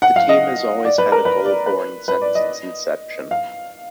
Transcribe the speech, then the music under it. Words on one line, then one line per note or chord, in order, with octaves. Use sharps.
The team has always had a goal horn since its inception.
F#5
F5
D#5
D5
B4
A#4
B4
D5
B4
B4
D5
D#5
F5